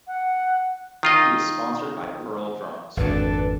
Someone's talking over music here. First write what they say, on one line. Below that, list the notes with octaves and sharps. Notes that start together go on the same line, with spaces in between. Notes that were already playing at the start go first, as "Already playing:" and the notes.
He is sponsored by Pearl Drums.
F#5
D#3 F4 D#5
G#1 F2 D4 A4 B4